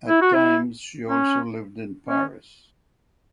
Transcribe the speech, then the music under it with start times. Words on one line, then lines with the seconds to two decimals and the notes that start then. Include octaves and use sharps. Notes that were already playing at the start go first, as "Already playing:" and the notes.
At times she also lived in Paris.
0.08 E4
0.21 F#4
0.34 E4
1.08 C#4
2.08 C#4